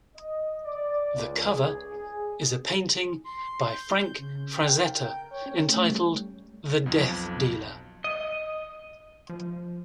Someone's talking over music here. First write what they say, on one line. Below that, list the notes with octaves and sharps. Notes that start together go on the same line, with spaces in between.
The cover is a painting by Frank Frazetta entitled "The Death Dealer".
D#5
D5
C#2
G#4
C6
G6
C#3
G5
A#4
G5
C#5
C#4
A3
G3
B1 F2
D#5
F3